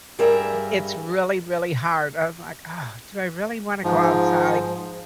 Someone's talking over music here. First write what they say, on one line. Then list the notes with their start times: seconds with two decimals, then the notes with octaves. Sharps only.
it's really, really hard, I was like, "Ugh. Do I really wanna go outside?"
0.19 G2 G3 G#4 A#4 E5
3.84 G#2 F3